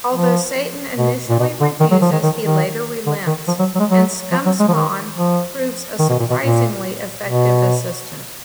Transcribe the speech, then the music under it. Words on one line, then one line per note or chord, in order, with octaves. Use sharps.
Although Satan initially refuses, he later relents, and Scumspawn proves a surprisingly effective assistant.
F3
B2
A#2
B2
D3
D#3
F#3
F3
D#3
D#3
D#3
D3
D#3
F3
F#3
F#3
G#3
F#3
F3
F#3
G#3
F3
D#3
F3
D#3
B2
A#2
B2
A#2
B2